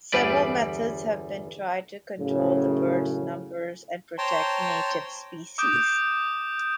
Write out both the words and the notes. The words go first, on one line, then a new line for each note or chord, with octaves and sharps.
Several methods have been tried to control the bird's numbers and protect native species.
G1 E2 G3 B4 D5
F#2 A2 C#3
C5 C#5 G5 A5 A#5 C6
D6 D#6 G6 D7